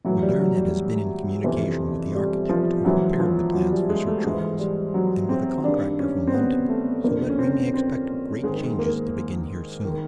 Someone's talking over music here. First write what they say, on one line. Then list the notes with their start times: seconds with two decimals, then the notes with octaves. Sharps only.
The baronet has been in communication with the architect who prepared the plans for Sir Charles, and with a contractor from London, so that we may expect great changes to begin here soon.
0.05 A2 E3 F#3
0.22 G3
0.39 F#3
0.57 G3
1.44 F2 C3 E3
2.15 G3
2.49 F3
2.84 G#2 E3 F#3
3.20 F3
3.54 F#3
3.72 G3
3.89 G#3
4.07 A3
4.24 G#2 E3 G#3
4.59 G3
4.94 F#3
5.29 C4
5.64 G2 D#3 D4
6.00 C#4
6.27 C4
6.34 B3
6.69 A3
7.04 F2 D3 A#3
7.30 C#4
7.39 C4
7.74 C4
8.43 G#2 D#3 G#3
8.79 A#3
9.85 D#3